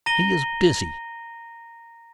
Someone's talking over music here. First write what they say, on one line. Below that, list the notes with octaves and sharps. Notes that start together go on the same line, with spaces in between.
"He is busy."
A#5 A#6 D#7 G7